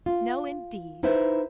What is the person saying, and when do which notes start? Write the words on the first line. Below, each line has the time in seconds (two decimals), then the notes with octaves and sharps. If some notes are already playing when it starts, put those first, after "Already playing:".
No, indeed!
0.06 F4
1.03 D#4 E4 B4 C5 E5